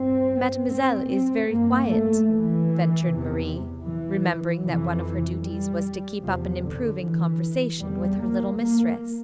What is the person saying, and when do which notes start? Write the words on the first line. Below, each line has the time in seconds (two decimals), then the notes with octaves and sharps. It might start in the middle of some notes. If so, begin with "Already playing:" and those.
"Mademoiselle is very quiet," ventured Marie, remembering that one of her duties was to keep up an improving conversation with her little mistress.
Already playing: G2 C4
0.69 C4
1.08 C4
1.47 G2 A#3
1.87 A3
2.27 E3
3.06 E2 C3
3.85 E3
4.63 F2 C3 E3
5.43 G3
6.21 E2 C3 F3
6.60 D3
7.00 E3
7.79 E2 C3 G3
8.19 A#3
8.58 A#3